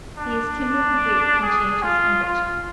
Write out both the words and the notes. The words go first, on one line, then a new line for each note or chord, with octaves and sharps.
He is timid, weak, conscientious, and wretched.
D4
G#4
F4
F4